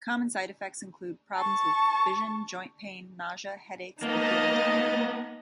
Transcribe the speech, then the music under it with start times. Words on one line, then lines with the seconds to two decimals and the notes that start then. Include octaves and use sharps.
Common side effects include problems with vision, joint pain, nausea, headaches, and feeling tired.
1.35 A5 C#6
4.02 A#3 B3 D#4 D#5 A5